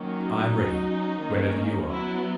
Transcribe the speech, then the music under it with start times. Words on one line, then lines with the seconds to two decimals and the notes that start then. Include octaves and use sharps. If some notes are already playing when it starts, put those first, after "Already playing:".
"I am ready, whenever you are."
Already playing: D#3 F#3 A#3 C#4
0.18 D#4
0.51 F#3 C#4
1.20 D#3 A#3 C#4
1.88 F#3 B3 E4